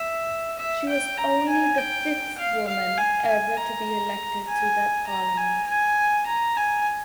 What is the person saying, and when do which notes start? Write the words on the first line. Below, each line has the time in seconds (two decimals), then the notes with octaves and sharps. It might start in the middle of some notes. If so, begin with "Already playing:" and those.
She was only the fifth woman ever to be elected to that parliament.
Already playing: E5
0.59 E5
0.89 G5
1.18 A#5
1.49 G#5
1.78 G5
2.38 F5
2.67 F5
2.97 G#5
3.27 G#5
3.57 A#5
4.47 G#5
5.07 A#5
5.37 G#5
5.67 G#5
6.27 A#5
6.57 G#5